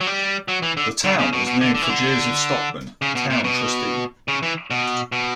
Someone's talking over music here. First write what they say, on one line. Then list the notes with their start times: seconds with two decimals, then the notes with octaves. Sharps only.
The town was named for Joseph Stockham, town trustee.
0.01 F#3
0.07 G3
0.48 F#3
0.62 E3
0.77 D3
1.04 D3
1.18 C#3
1.33 B2
1.47 B2
1.61 D3
1.74 D3
1.82 E3
1.90 D3
3.02 C#3
3.15 B2
3.30 A#2
3.44 B2
4.28 C#3
4.43 E3
4.70 B2
5.12 B2